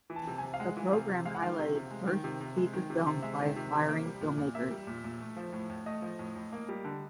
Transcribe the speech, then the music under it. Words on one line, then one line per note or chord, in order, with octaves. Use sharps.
The programme highlighted first feature films by aspiring filmmakers.
E3
A5
C3
C3 G#5
F5
G#3 F#5
E3
C3 F5
C3
G#3 F5
F#5
D#3 F5
C3
C3
G#3
D#3
C3
C3
G#3
D#3
C3
C3
G#3 E5
D#3
C3
C3
A#3
G3
A#2
A#2
A#3 E5
G3
A#2
A#2
A3
F3
A2
A2
A3 D#5
F3
A2
A2
A#3
G3
D3